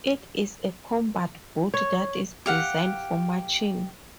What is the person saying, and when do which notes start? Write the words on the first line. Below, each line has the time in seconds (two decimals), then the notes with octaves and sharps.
It is a combat boot that is designed for marching.
1.74 C#5
2.46 G4 F5 F#5